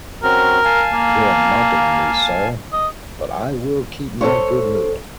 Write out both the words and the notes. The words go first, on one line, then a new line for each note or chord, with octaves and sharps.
You’re mocking me sir, but I will still keep my good mood.
C4 C#4 F#4 A#4
F5 G#5 A5
A#3
D#5
A4 C5 C#5